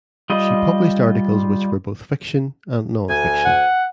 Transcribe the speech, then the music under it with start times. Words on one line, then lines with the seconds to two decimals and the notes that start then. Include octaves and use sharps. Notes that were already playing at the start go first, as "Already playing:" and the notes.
She published articles which were both fiction and nonfiction.
0.30 G3 F4 D#5
3.08 D2 G#5
3.45 F#5